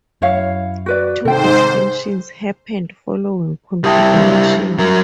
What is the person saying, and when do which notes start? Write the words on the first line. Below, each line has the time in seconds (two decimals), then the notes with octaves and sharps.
Two expansions happened following Confederation.
0.22 F#2 E4 C#5 F5
0.86 F#4 B4 D5
1.25 G#2 C3 D#3 A4 C5 G5
3.84 G3 E4 G5 A5 D#6
4.16 G2
4.79 F#3 A#4